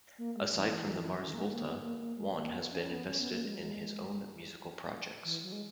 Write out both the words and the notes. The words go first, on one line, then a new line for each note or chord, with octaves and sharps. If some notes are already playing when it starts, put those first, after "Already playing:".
Aside from The Mars Volta, Juan has been invested in his own musical projects.
A#3
G#3
E3
E3
D#3
A#3
G#3
A#3
B3
A#3
A#3
G#3
A#3
B3
C#4
B3
C#4
B3
A#3
G#3
F#3
G#3
E3
F#3
G#3